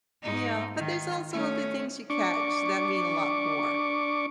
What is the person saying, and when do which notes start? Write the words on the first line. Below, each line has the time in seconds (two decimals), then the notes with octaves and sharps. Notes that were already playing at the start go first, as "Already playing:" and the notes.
Yeah, but there's also other things you catch that mean a lot more.
0.23 G#2 D#4
0.76 D#3
1.32 A3 C#4
2.10 D4 C#6 D6